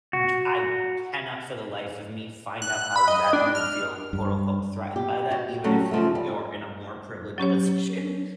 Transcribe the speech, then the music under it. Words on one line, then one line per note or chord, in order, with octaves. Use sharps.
d I cannot for the life of me find out how that you would feel, quote unquote "threatened by that," even if you are in a more privileged position.
F#4
F#6
B5
D#5
D4
F6
G2
G4
F#4 G4
F#3 G3 A3 C#4
C#3 F3 A3
G3
F#3 C#4 G4 C#5